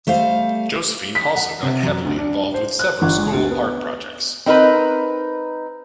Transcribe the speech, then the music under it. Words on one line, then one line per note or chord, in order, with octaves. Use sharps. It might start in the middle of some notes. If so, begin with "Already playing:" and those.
Josephine also got heavily involved with several school art projects.
G3 A3 C5 F5
B6
F#5
C3
F#2
D2
D4
C5
F#6
G1
G#3
D2
B3
C4 D#4 A#4 B4